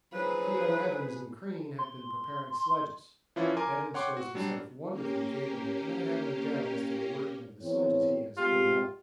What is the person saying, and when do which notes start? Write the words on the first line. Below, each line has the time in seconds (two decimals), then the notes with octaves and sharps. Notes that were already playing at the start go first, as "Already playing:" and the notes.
P.O. Evans and Crean have been preparing sledges; Evans shows himself wonderfully capable, and I haven't a doubt as to the working of the sledges he has fitted up.
0.13 F3 F#3 G#4 B4
1.79 C6
3.36 E3 F3 C#4 E4 F4
3.57 A#4 G#5 C6 D6
3.94 C#5 F#5 G5 C6 D6
4.17 F#4
4.35 F#3 G3 D4
4.90 A#3 C#4 G4 A#4
7.62 E2 C4 C#5
8.38 G#3 C4 F4 G4